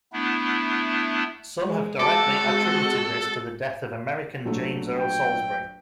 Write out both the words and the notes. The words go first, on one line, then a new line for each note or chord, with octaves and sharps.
Some have directly attributed this to the death of American James Earl Salisbury.
A3 B3 D4 E4
G#3
G#3 C4 F#4 A4 A5 D6
A#1 F#3 A3
G5